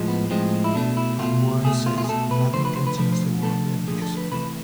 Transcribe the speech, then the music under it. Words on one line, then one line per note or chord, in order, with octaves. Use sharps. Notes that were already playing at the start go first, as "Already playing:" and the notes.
And Warren says "nothing can change the world like music".
Already playing: A2 F3 G#3
B3
A2 F3 G#3 C4
E4
B2 A3 D4
E4
B2 A3 F4
B2 A3 G#4
F4
F4
G#4
B2 A3 A4
B4
D3 F3 A3 C5
B4
C5
B4
D3 F3 A3 B4
C5
D3 F3 A3 A4
D3 F3 A3 G#4
A4
B4
C3 E3 A3 B4